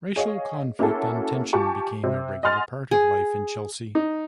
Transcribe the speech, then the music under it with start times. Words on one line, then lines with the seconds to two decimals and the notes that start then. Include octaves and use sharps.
Racial conflict and tension became a regular part of life in Chelsea.
0.16 G#4 C#5 D#5 F5
0.79 A#3 C#4 E4 F#4 G#4 A4
1.53 F4 G4 G#5 A5 C#6
2.04 C3 C4
2.43 D#5 F#5 G#5 C6 F6 A6
2.91 G#4
3.95 D#4